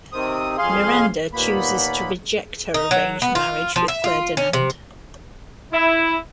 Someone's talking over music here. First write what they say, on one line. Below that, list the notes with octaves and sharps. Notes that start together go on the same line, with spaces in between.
Miranda chooses to reject her arranged marriage with Ferdinand.
C3 D#3 C4 D#6
F2 G#4 F5 C6
D#2 A#2 A#3 B3 B5
D#4
F#3
B3
F4
F3
E5
F4
C#4
C3
E4